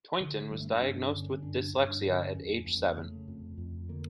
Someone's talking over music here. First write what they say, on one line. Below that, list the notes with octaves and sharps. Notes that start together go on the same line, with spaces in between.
Tointon was diagnosed with dyslexia at age seven.
D3
G2 G3
A3
G3
G2 D4
D3 C#4
G2 D4
G2 D4
D3 C#4
F2 C#4
F2 A#3
C#3 A3
F2
F2
D3 A#3